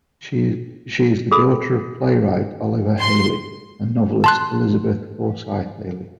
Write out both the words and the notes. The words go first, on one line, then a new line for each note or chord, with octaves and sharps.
She is the daughter of playwright Oliver Hailey and novelist Elizabeth Forsythe Hailey.
G#4 A4 B5
C6
A5 C6 F#6